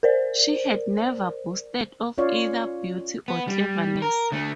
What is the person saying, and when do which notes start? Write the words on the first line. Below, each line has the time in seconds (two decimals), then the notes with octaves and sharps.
She had never boasted of either beauty or cleverness.
0.03 A#4 C5 D5
2.18 C#4 F4 C#5 D5 F5
3.28 B3
3.48 G3
4.02 A#4
4.32 D3 A3